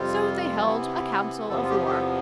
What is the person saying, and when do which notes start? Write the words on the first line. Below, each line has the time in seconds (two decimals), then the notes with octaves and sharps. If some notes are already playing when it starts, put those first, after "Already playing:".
So they held a council of war.
Already playing: F2 C3 G3 C4 F4
0.65 C3 E3 B3 E4
1.49 E2 C3 F3 B3 A4
1.62 F4
1.70 G4
1.85 G4
1.91 A4